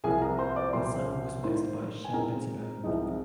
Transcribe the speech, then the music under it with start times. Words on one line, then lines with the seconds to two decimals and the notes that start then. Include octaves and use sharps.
The song was mixed by Shep Pettibone.
0.04 C2 C3 F3 A#3 G#4 G#5
0.21 A#4 A#5
0.39 C5 C6
0.56 D5 D6
0.73 C2 A#2 F3 C5 C6
1.43 G#2 D#3 A#3 C5 C6
2.04 G#5
2.13 A#2 G#3 C4 D#4 A#4 A#5
2.84 C2 C3 F3 G#3 D#4